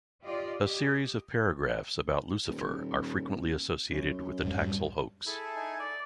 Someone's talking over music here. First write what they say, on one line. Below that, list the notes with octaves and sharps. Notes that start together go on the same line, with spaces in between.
A series of paragraphs about Lucifer are frequently associated with the Taxil Hoax.
F4 G4 D5 D#5
G4 D#5
D#1
F#2
F2 G#2 G3
E4 G#4 A4 B5
D#4 G#5
D5